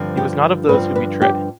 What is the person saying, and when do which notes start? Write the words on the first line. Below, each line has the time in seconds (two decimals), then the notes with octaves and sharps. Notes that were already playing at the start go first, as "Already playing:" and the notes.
He was not of those who betray.
Already playing: G2 D3 F3 C4
0.17 G4
0.69 G2 D3 F3 C4 B4
0.96 B4
1.22 G4